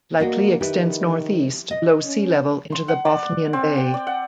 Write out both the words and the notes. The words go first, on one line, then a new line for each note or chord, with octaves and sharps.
Likely extends northeast below sea level into the Bothnian Bay.
A#3 D4 F#4 D#5
D#3 E4 G4 B4
D#5
C#4
C6
F#5
D5
C4
G5
D5
F#5